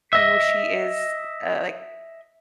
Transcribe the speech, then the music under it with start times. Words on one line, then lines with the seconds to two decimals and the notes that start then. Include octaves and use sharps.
who she is, uh, like,
0.13 D#5 E5